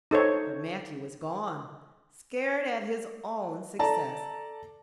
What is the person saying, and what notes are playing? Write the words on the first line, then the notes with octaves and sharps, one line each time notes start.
But Matthew was gone, scared at his own success.
D#4 A4 C5 C#5
A4 D5 A5 A#5